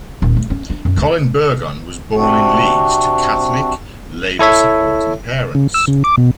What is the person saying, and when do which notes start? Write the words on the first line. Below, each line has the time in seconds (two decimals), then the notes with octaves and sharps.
Colin Burgon was born in Leeds to Catholic, Labour-supporting parents.
0.22 D#1
0.36 A3
0.50 C#4
0.70 D4
0.85 F#2
0.97 D2
2.16 C3 C4 D4 F#4
4.39 E4 A4 C#5 E5
5.55 C#3
5.74 E6
5.88 C#3
6.04 D6
6.17 B2